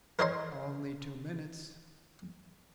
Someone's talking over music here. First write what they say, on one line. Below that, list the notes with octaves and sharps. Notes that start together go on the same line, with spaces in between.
"Only two minutes."
A#4 C5 C#5 D#5 A#5 C6